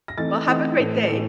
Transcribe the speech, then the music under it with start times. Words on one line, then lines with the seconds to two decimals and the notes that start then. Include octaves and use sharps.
Well, have a great day.
0.08 A#6
0.18 E3 A3 C4 D#4 A6
0.48 E3 A3 C4 D#4
0.78 A2 E3 A3
1.08 A2 E3 A3